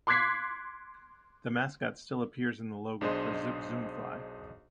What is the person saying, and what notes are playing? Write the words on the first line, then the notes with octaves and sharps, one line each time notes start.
The mascot still appears in the logo for ZipZoomfly.
C6 D6 F#6 G#6 B6 C7
B1 D4 G#4 C5 D#5 C6